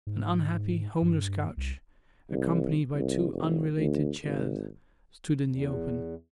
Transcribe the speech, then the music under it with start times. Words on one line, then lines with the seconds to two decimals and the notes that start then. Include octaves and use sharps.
An unhappy, homeless couch, accompanied by two unrelated chairs, stood in the open.
0.07 G#2
1.02 G2
1.57 C2
2.31 C2
2.95 C2
3.32 F1
3.78 D2
4.23 G#1
5.49 E2